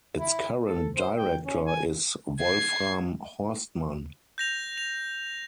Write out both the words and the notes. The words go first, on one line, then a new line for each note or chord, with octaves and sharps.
Its current director is Wolfram Horstmann.
E4
A4
C5
G5
C#4
G#5
G#6 C7
G6 A#6 F7
F7